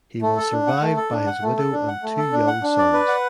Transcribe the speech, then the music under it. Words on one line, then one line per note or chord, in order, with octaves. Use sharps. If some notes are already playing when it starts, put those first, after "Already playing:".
He was survived by his widow and two young sons.
A3
A4
D4
F#5
A3
A4
D4
F#5
A3
A4
D4
F#5
A3
A4
D4
F#5
D4
D5
B4
F#5